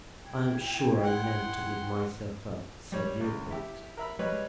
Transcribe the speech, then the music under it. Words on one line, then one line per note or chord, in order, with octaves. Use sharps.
"I am sure I meant to give myself up," said Leopold.
E4 G5 G#6
F#5 C6
G3 C#5
C#2
E4 G4
A#4 E5 B5
G3 G#3 B4 C#5